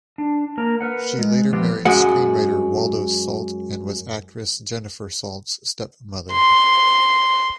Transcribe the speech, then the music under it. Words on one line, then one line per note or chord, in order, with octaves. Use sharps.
She later married screenwriter Waldo Salt and was actress Jennifer Salt's stepmother.
D4
A#3 A#4 A#5
A#4 B4 F#5
G#3
F3 B3 C4 F4 G4 B4
F#2 G#3 F#5
C6